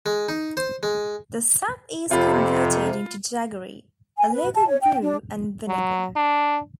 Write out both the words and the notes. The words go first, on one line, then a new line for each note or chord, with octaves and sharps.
The sap is converted into jaggery, a local brew and vinegar.
G#3
D#4
C5
G#3
F2 C3 F4 B5
G#5
B4
A5
C#5
G5
D4
F#3
D4